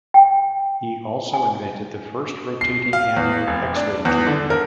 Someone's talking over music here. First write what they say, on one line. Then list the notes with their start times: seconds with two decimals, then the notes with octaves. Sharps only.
He also invented the first rotating anode X-ray tube.
0.14 G5
1.33 G#5
2.61 C7
2.93 F5
3.17 E2
3.47 F1
3.76 D4
4.05 E2
4.27 D3
4.50 A#4